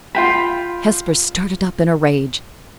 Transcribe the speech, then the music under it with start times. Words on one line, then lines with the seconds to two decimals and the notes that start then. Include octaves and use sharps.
Hesper started up in a rage.
0.15 F4 G5 B5